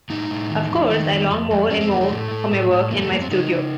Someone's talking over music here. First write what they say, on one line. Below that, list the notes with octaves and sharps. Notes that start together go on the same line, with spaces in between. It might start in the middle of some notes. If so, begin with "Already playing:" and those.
Of course, I long more and more for my work and my studio.
A2 D#4
A2
D#3
F2
D#3
F2
F2
F2
F2 C#4
C4
F2 A#3
A3
A2
A2
A2
A2
F2 A#3
A3
F2 A#3
C4
C#3 D#4
C#3